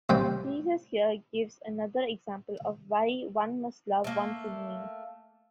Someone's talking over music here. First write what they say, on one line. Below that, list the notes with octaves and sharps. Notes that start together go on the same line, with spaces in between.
Jesus here gives another example of why one must love one's enemies.
A1 C3 G3 D#4 G5 B5
A3 A#3